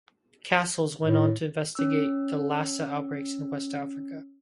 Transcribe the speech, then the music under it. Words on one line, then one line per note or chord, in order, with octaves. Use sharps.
Casals went on to investigate the Lassa outbreaks in West Africa.
A2
C#4 E6